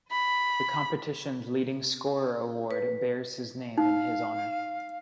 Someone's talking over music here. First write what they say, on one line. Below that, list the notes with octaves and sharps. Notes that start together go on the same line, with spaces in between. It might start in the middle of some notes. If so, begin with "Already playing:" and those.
The competition's leading scorer award bears his name in his honor.
B5
B4
D#4 F5